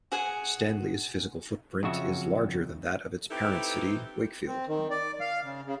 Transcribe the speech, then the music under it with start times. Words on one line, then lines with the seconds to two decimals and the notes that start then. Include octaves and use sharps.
Stanley's physical footprint is larger than that of its parent City Wakefield.
0.12 F#4 G#4 F#5 G#5
1.83 F2 C#3 F#3 F#4 E5
3.31 C4 D#4 E4 G4 A4 B4
4.47 C4
4.68 D#3
4.91 D5
5.21 F5
5.43 C#3
5.66 C#3